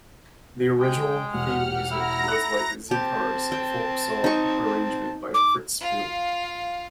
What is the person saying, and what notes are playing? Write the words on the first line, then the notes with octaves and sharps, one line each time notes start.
The original theme music was, like "Z-Cars", a folk-song arrangement by Fritz Spiegl.
G#3 G5
E1 G4 F#5 F6
E4 A#5 A#6
E4 F#6 C#7
C4 G4 A5
G5
D#4 C#6
D6
F4 F5